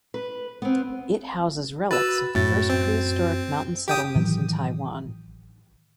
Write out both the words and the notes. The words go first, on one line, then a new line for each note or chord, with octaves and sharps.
It houses relics of the first prehistoric mountain settlements in Taiwan.
B4
B3 C4
F#4 B4 E6 A6
F#2 A2 F#4 A6
C4
G4 G5 D#6
A2 D#3 E3 F#3